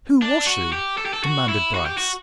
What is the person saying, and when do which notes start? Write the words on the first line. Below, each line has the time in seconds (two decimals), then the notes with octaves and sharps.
"Who was she?" demanded Bryce.
0.22 D4
0.47 F#4
0.72 G4
0.98 A4
1.06 G4
1.14 A4
1.24 F#4
1.49 E4
1.74 F#4
1.86 G4
1.98 F#4